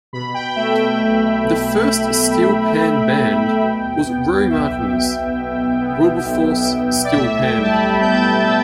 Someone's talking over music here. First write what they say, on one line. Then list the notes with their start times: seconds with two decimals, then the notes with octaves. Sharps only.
The first steelpan band was Roy Martin's Wilberforce Steel Pan.
0.13 B2 B5
0.34 G5
0.56 A3 E5
0.78 G5
1.01 B1 G5
1.44 B1
1.88 B2
2.32 A3
2.75 B1
3.20 B1
3.63 B2
4.07 B3
4.50 B1 E5
4.94 B1
5.38 B2
5.81 B3
6.26 B1
6.70 B1
7.04 D5
7.13 A2 E5
7.43 G5
7.57 G3
7.63 A5
7.71 B5
8.01 B3 G6
8.12 A6
8.22 G6
8.45 E6